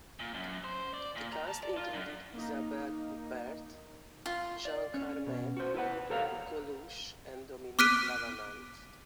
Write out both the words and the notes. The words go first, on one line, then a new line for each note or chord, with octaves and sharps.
The cast included Isabelle Huppert, Jean Carmet, Coluche and Dominique Lavanant.
A#2
F#2
C5
D5
A#2
A#5
A5
D5
F4
F#2
A#3 D#4
F4
D5
C#4
B2
F#4 C5
E4 B4 F#5
G4 A4 A#4 C#5 F5
D6 F6 F#6 B6 D7 D#7